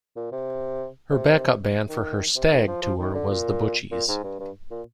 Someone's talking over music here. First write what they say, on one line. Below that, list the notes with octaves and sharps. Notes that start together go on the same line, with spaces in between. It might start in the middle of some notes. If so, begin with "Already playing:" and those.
Her backup band for her "Stag" tour was The Butchies.
A#2
C3
C3
D#3
C3
D#3
F3
F3
D#3
D3
A#2
A#2
G#2
G2
G2
A#2